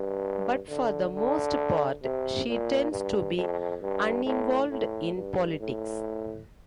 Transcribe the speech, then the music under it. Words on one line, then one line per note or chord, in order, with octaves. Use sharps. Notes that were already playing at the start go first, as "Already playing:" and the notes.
But, for the most part, she tends to be uninvolved in politics.
Already playing: G2
D3
D3
C3
A#2
G2
F2
G2
A2
A2
G2
A2